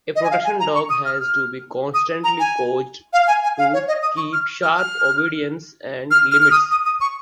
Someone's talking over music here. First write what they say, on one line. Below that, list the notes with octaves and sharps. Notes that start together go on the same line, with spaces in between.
A protection dog has to be constantly coached to keep sharp obedience and limits.
D#5
G#5
F5
G#5
A#5
C#6
D#6
F6
F6
D#6
A#5
G#5
F5
G#5
G#5
F5
C#5
D#5
D#6
C#6
F6
F6
F6
F6
F6
F6
D#6
D#6
D#6
C#6